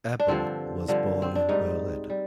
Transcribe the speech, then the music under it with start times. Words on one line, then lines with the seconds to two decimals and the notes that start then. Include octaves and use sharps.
Ebel was born in Berlin.
0.20 D4
0.28 G2 D3 F3 C4
0.88 G2 D3 F3
1.22 C4
1.36 D4
1.49 G#2 G3 D#4
2.10 G3